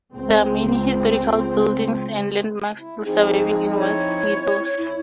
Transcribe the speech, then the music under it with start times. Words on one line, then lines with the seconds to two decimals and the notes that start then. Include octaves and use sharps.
There are many historic buildings and landmarks still surviving in Westmeadows.
0.11 C#2 C4
2.78 E4
3.05 F3 C4 D#4 G#4
3.78 E4 C#5
4.78 F2 E4